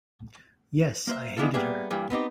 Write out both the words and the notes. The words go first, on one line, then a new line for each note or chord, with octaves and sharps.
Yes, I hated her.
A#3 C5 E5
G#3 B3 D4 E4 F4 A4
G3 A#3 B3 D4 G#4 E5
G2 E3 G3 A#3
B3 C4 D#4 G4